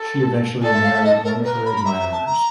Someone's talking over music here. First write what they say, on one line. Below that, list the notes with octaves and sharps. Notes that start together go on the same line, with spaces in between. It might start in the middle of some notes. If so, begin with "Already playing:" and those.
She eventually married one of her admirers.
Already playing: A4
A4 D5
E5
F5
E5
D#5
A#4
A#4 B4
B5
B5
E5 A#5
A#5
A5
A#5